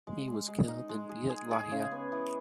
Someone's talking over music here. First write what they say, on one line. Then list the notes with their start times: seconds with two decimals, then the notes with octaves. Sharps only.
He was killed in Beit Lahia.
0.07 G#3
0.28 G#3
0.48 G#3
0.68 D#4
0.89 G#3
1.09 G#4
1.29 G#4
1.51 G#4
1.71 C#3
1.91 B3
2.12 E3